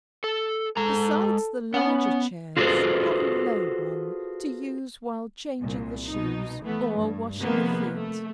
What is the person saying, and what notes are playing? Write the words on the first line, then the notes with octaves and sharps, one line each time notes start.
Besides the larger chairs, have a low one, to use while changing the shoes or washing the feet.
A4
G#3 A4 A#5
B3 C#4 F#5
F4 F#4 G#4 A4 B4 C5
C2 A#2
B2 D#4
E3 A3 B3
G2
C3 D#3 F3 G#3 A#3 B3
A3